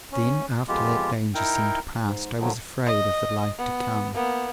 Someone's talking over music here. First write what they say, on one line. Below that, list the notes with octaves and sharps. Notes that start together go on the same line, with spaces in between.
Then after that danger seemed past, I was afraid of the life to come.
C#4
F2 G#3 B3 F4 G4
D#4 E4 A#4 G5
G#2
D3 D#3 F3 F#3 A3
D#5
B3
A#3 B3